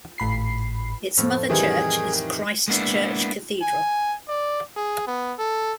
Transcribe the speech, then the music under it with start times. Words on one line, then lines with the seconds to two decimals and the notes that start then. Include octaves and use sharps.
Its mother church is Christ Church Cathedral.
0.18 G#1 A2 B5 C7
1.17 F2 A2 F3
1.49 D#3 E3 G3 G#4
2.68 G#3 A#3 B3 D4 E4
3.62 G#5
4.28 D5
4.76 G#4
5.07 B3
5.39 A4